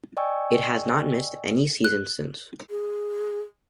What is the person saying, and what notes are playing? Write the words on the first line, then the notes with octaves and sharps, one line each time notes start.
It has not missed any seasons since.
D5 D#5 G5 G#5 C#6 E6
F#6
G#4